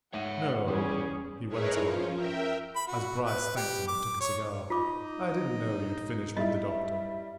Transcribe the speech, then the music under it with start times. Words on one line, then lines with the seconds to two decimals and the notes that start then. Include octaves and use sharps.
No," he went on, as Bryce thanked him and took a cigar, "I didn't know you'd finished with the doctor.
0.13 G#2 C#5 E5 F#5 D#7
0.68 E2 G3 C#4 G#4
1.49 D#4 E4 G#4 A#4 B4 C#5
1.81 F3 C#4 F4
2.13 A#4 E5 G5
2.76 B5
2.87 F#4
3.24 B4
3.56 G4
3.88 D6
4.20 C#5
4.70 D#4 F4 D6
6.37 G3 E4 D#5 E5